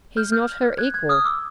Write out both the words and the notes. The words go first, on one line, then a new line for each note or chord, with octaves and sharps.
'He's not her equal.
F6 G6
F6 G6
F#6 G#6
F#6 G#6
D#6 F6
D6 E6